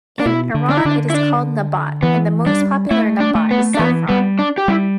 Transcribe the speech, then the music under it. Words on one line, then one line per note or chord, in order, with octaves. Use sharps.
In Iran it is called nabat, and the most popular nabat is saffron.
D4
B2 E4
D3
D4
E4
D3 D4
E4
D4
E3 B3
G3 D4
A3 E4
D4
A3
B3
D4
E3 B3
G3 B3
D4
G4
G3 E4